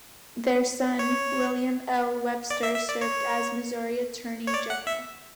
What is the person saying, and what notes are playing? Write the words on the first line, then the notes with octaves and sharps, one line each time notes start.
Their son, William L. Webster served as Missouri Attorney General.
C#5
D5
E5
E5
D5
C#5
C#5
D5
F#5
E5